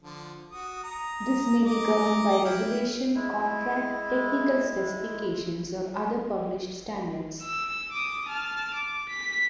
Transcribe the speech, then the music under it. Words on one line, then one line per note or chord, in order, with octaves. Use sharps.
This may be governed by regulation, contract, technical specifications or other published standards.
D3 F3
F#4 D#6
A#5 D#6
D#5 A#5 D6
E4 G5 F6
G#3 E4
E6
D6 D#6
A5 F6
D6
B6